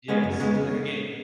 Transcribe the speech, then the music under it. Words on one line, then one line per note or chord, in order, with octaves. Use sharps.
Yes, like a game.
C#3 G#3 B3
F#2
C#3 G#3 B3
C#3